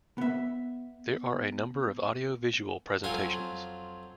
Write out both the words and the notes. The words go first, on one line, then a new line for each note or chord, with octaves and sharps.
There are a number of audio-visual presentations.
B3 E5
F2 F#3 F4 G#5